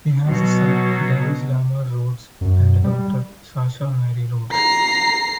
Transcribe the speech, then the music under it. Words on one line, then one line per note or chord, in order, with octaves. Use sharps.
He has a son, Davis Lamar Rhodes, and a daughter, Sasha Marie Rhodes.
B2 F#3
F#2
G3
A#5 C7